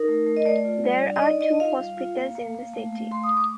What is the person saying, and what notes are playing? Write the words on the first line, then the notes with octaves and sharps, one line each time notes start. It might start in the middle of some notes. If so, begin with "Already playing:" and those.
There are two hospitals in the city.
Already playing: D#4 A#4
A3
A3
D#5
A3 D5
F4
G3
D4
D#5
D#4 D5
D#4 D#5
D#5
F4 F5
G3
F4
A#3
A#3
A#3
A3
A3
A3 C6
D#6
A3
D6